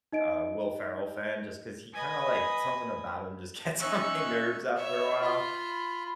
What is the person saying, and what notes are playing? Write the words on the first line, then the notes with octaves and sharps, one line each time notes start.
uh, Will Ferrell fan just 'cause he kinda like something about him just gets on my nerves after a while,
D#4 D#5 D7
B4 D#5 G#5 B5 D#6
C#4 D#4 C#5 E5 E6 F#6
C#5 E5
F4 B5